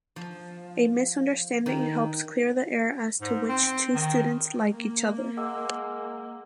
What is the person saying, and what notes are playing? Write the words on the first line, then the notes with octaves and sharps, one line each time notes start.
A misunderstanding helps clear the air as to which two students like each other.
F3
D#3
G#2
C4
D#3
A#3
G#3 F#5 D6 E6